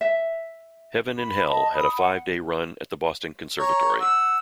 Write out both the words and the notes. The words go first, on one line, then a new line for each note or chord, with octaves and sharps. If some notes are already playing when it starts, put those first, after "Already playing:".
"Heaven and Hell" had a five-day run at the Boston Conservatory.
E5
B5
D#5 A5
B5 D#6
F#5
C#5 A#5
F#5 E6